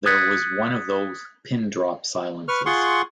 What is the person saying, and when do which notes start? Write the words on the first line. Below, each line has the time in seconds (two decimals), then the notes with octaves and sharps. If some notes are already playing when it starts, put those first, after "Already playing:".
There was one of those pin-drop silences.
0.06 D#6 F#6 G#6 A6 B6 C#7
2.48 B4 C#6 F6
2.66 F4 G#4 F#5 C6 C#6